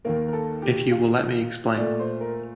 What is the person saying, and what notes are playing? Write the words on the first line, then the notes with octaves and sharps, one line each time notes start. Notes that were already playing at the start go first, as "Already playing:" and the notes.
If you will let me explain.
D#2 D#3 A#3 A#4
A#4
A4
G4
F4
A#2 A3 D5
C5
A#4